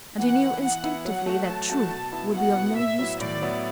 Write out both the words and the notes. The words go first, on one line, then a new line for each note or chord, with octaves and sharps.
And he knew instinctively that truth would be of no use to him.
E3 F#5
B3 E4
E3 F#5
B3 E4
F#3 F#5
A3 F#4
F#3 A5
A3 F#4
B2
B3 E4
B2 F#5
B3 E4
A2 E5
F#3 B3 E4
A2 D5
F#3 B3 E4